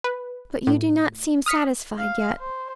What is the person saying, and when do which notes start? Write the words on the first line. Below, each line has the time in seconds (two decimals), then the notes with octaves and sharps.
But you do not seem satisfied yet?
0.04 B4
0.67 A2
1.46 D#6 F6 B6 C#7
1.98 F5
2.39 C5